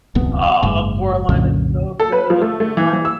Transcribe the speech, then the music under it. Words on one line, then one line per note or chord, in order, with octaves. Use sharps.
Oh, Coraline is so good, you're right.
D1 C2 F#2 B3
F#1 G#2
C2 F#2 A#2 D3
A4
B4
F3
A3
A3
E3
E3
E6